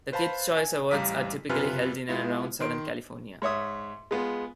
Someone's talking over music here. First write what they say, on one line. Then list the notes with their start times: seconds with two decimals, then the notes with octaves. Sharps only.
The Kids' Choice Awards are typically held in and around Southern California.
0.12 B4 C5 F5 A5 B5
0.57 G#5
0.91 A1 G3 F5 A#5 D6 B6
1.49 F#2 C3 F4 B4 G#5 F6
2.09 G#3 B3 E4 F4
2.60 D#3 C6 D7
3.42 G#2 C#5 E5 D#6
4.11 G#3 B3 F4